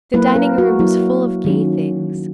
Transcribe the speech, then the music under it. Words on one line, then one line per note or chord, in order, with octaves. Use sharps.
The dining-room was full of gay things.
F#3 A#3 E4 B4
A#4
F#4
F#3 A#3 E4
D#3 F#3 C#4